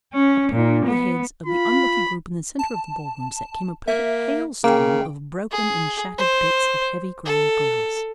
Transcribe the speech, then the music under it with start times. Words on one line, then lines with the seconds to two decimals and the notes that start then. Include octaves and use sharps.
Upon the heads of the unlucky group in the center of the ballroom set came a perfect hailstorm of broken and shattered bits of heavy ground glass.
0.14 C#4
0.52 A#2
0.86 B3
1.46 F4 B5
2.59 A5
3.88 A#3 E5
4.64 C#3 A#3 G5
5.51 G#4
6.18 C5
7.26 A4